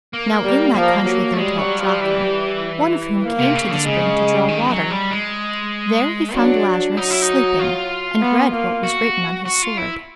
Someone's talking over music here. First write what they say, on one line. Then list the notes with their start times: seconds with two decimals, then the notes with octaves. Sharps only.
Now in that country there dwelt Draken, one of whom came to the spring to draw water; there he found Lazarus sleeping, and read what was written on his sword.
0.13 A#3
0.44 G3
0.75 F3 A#3
1.06 F#3
1.33 A3
1.37 G3 G#3
1.58 F#3
1.80 F3
2.00 E3
3.24 A#3
3.39 C3
3.55 C#3
3.70 D3
3.86 C#3 G#3
4.48 D#3
4.69 F#3
4.91 G3
5.11 G#3
6.35 F#3 D4
6.97 F#3 D#4
7.10 E4
7.22 D#4
7.59 F4
8.21 B3
8.53 A#3
8.83 F#4
9.45 F#4
9.62 F4
9.77 E4